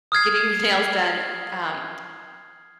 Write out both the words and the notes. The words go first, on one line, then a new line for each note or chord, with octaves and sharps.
getting your nails done, um
D#6 F6 G#6 C7